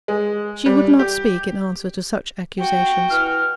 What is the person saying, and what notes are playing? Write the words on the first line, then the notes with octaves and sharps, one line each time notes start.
She would not speak in answer to such accusations.
G#3
G3
G4
F#4 G5
E3 F6